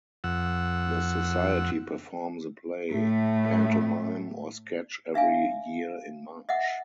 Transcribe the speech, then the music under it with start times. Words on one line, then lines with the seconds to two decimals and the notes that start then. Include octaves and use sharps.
The society performs a play, pantomime or sketch every year in March.
0.24 F2 F#5 E6
2.93 A2 A3
5.14 D4 E5 F5 G#5
6.49 D#5 E5 F#5